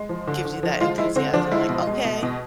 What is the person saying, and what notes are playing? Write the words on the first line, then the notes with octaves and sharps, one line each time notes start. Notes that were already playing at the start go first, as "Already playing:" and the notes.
gives you that enthusiasm, like, "Okay,
Already playing: G#3
F3
D3
D3
F3
G#3 F4
G#3 E4
D3 C4
F3 D4
G#3 E4
B2
G#3
B2
B2